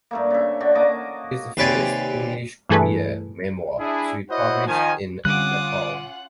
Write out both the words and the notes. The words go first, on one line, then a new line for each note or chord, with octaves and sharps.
It is the first English queer memoir to be published in Nepal.
G2 A3 A#3
C#3 E5
D3 D4 F#4
A#3 D5 D#5 D6
D#2 C3 B4 C#5 D5 G#5
G2 E3 A3 G#4 A4 B4
D4 E4 G#4
E4 F#4 C5 C#5 D#5 F#5
D#3 F3 D#5 G#5
D3 G3 C#4 F4 F#5 D6 D#6 F#6